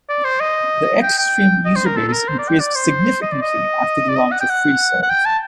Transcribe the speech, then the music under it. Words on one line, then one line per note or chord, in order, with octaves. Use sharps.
The X-Stream user base increased significantly after the launch of Freeserve.
D5
C5
D#5
G5
G5
D#5
C5
A#4
A4
A4
A#4
C5
D5
G5
D5
C5
D#5
D5
D#5
D5
D#5
F#5
G5
F#5
F#5
G5
A5